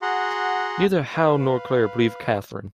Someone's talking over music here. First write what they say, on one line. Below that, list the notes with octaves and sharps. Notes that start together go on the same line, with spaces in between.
Neither Hal nor Claire believe Catherine.
F#4 G#4 F#5 A#5 C6
B4 F5